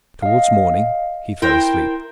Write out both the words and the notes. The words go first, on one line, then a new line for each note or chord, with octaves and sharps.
Towards morning he fell asleep.
D#5 F5
E4 A#4 C5 G5 C6